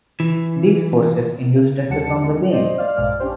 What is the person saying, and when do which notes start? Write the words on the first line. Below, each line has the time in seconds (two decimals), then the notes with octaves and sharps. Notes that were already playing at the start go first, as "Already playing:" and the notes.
These forces induce stresses on the beam.
0.20 E3
1.89 D#2 F3 G3 F#5 A5 C#7
2.22 G#3
2.50 C5 D5 D#5
2.78 C5 D5 F5 F6
2.96 A#1 G2 A#2 G#3 D5 F6
3.20 C#4 D4 G4 C5